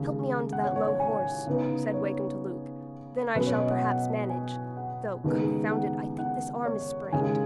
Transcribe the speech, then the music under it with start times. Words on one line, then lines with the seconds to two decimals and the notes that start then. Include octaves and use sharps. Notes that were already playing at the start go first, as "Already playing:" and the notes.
"Help me on to that low horse," said Wakem to Luke, "then I shall perhaps manage; though--confound it--I think this arm is sprained."
Already playing: D#2 C#3 G#3
0.53 F#5
0.64 C#5
0.76 C#5
0.88 C#5
1.00 G#5
1.47 C#3 B3 D#4
1.94 C#5
3.35 B2 F#3 C#4 B4
3.47 C#5
3.59 D#5
3.71 F#5
3.83 F#5
4.30 G#5
4.77 F#5
5.24 D#2 C#3 G#3 B3 D#4
5.72 F#5
6.18 F#5
6.65 C#5
7.12 D#2 C#3 G#3 C#4 G#5